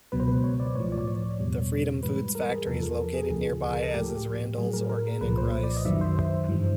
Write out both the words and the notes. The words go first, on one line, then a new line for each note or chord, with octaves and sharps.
The Freedom Foods Factory is located nearby as is Randall's Organic Rice.
C#2 B2 F#3 B4
C5
B4
C#5
D5
A2 F3 C#5
D5
C#5
E2 B2 G3
G#2 E3 G3 B4
A#4
G#4
E2 C3 F3 A4
A#4
A4
G#4
D2 C#3 F3 G#4
G#4
A#4
A4
A2 F3 G4
G4
A2 F#3 G#4
A#4
A#4
C2 A#2 F3 B4
C5
D5
D#5
F#2 D#3 F#3 E5
C5
C5
G2 E3 G3